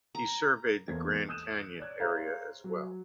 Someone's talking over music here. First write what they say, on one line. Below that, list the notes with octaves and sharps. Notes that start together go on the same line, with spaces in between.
He surveyed the Grand Canyon area as well.
A#5
E2 A#3 A4 C5 G#6
D#6 E6 F#6 G6 D#7 E7
C#5 D5 F#6 G#6
G#4 C5 C#5 E5 F5 A#5
F#3